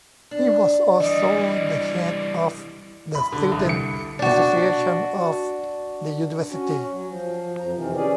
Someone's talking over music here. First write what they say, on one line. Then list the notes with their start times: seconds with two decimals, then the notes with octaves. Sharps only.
He was also the head of the student association of the university.
0.31 D4
1.00 E3 G3 D#5
3.15 B5
3.32 D3
3.52 C2
3.69 C#7
4.19 D4 F#4
6.50 C#4 F#4
6.91 F#3
7.09 F3
7.60 F2 F3 A#5
7.75 C3 D#3 E3
7.97 C#4 G#4 D5